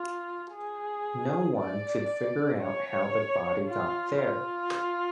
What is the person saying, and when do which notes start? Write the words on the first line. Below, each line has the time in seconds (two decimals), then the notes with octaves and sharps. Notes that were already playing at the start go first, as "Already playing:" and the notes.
No one could figure out how the body got there.
Already playing: F4
0.52 G#4
1.57 D5
2.61 C#5
3.67 F4
4.19 F4